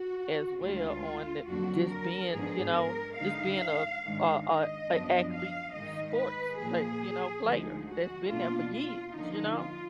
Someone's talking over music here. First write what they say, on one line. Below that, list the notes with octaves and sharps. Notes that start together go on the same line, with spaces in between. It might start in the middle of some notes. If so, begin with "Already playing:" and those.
as well on the just being, you know, just being a a a a athlete sports, but, you know, player that's been there for years, you know?
Already playing: F#4
D2 D3 G#3 F4
F2 D3 F#3 A#3 D4 F#4
A#4
G#2 F3 B3 D4 G#4
A#4
D3 G#3 D#4 F5
G#2 D#3 G#3 D4
D#5
F#2 F3 B3 D4
F5
G#2 D#3 G#3 D#4 D#5
B4
A#2 F3 A#3 G#4
D2 D3 F3 G#3 D#4
F#4
B2 A#3 D4 F4
F4
D3 F3 A#3 D#4
F4